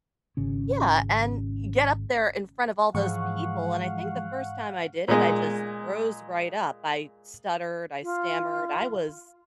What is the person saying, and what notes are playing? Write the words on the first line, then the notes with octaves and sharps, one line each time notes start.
Yeah, and get up there in front of all those people, and I think the first time I did it, I just froze right up, I stuttered, I stammered, I was
G#1 C#3 C#4
G#2 E3 F3 G#3 F5 F#5 C#6
A#2 G#3
F4